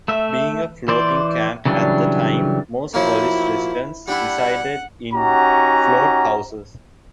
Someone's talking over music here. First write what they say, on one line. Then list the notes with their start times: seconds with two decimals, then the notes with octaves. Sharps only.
Being a floating camp at the time, most Hollis residents resided in float houses.
0.08 A3 E5
0.88 E3 C5 D5
1.65 C#3 E3 F#3 G3 D4
2.94 F3 F#3 A#3 E4
4.08 G3 D4 E4 F#5
5.13 C#4 D#4 F#4 G4 F#5 A#5